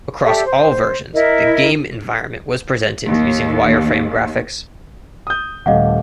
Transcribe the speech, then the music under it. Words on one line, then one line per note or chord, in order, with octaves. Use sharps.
Across all versions, the game environment was presented using wire frame graphics.
G4 A4 D5 E5
C5
E4 A#4 D#5
D#2
D#6 G6
D#1 G3 A3 D#5 F5 F#5